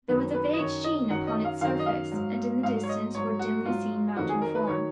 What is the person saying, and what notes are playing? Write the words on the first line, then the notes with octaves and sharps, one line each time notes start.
There was a vague sheen upon its surface, and in the distance were dimly seen mountain forms.
F#2 D#3 F#3 B4
B4
D#5
F#2 D#3 F#3 C#5
D#5
F#2 D#3 F#3 F#5
D#5
F5
F#2 D#3 F#3 F5
D#5
F5
G#2 F#3
G#2 F#3 F5
C#5
D#5
G#2 F#3 C#5
F#4
G#2 F#3 F4
F2 D#3 F#3 F#4
G#4
A#4
B4
D#3 F#3 C#5